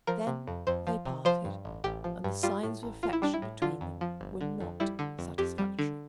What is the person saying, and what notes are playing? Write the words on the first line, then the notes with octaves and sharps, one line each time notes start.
Then they parted, and the signs of affection between them were not satisfactory.
F3 A#4
C3
F2
F2 C5
F3
C3
F3 C5
G2
A1
A1 G4
F3
G2
G3 F4
A2
A1
A1 F4
E4
G3 D4
E4
A2
D3 F4
F2
F3
G1
D3
F2
G3 E4
D3
F2
F2 G4
G3
D3